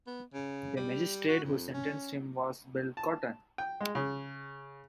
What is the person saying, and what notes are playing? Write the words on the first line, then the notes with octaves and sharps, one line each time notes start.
The magistrate who sentenced him was Bill Cotton.
B3
C#3
G3
F#4
F2
C#4
A5
G5
G#3
C#3